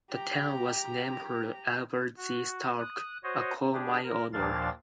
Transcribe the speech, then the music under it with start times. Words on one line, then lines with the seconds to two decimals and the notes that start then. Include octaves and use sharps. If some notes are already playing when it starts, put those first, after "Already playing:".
The town was named for Albert G. Stark, a coal mine owner.
0.10 G4 A#5
2.17 F#4
2.79 D#6 F#6
3.24 F#4 C5 C#5 D#5
3.73 D4 G4 G#4
4.03 A#4
4.33 D#2 A#2 F3 D4 F5 A6